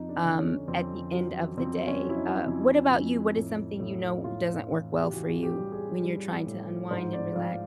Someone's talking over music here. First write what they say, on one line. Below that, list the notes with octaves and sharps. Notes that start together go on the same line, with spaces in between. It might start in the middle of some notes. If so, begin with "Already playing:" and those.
um, at the end of the day. Uh, what about you? What is something you know doesn't work well for you when you're trying to unwind and relax?
Already playing: F2 D#4
D4
D3
C#4
F2 C4
F#3
F2 C4
C#4
F#3
E4
D#4
F2
F2
A2
A2
A2 F4
E3
G4
E3 F#4
G4
G3
G#4
G3
A2
G#2 C5
D5
F3 F5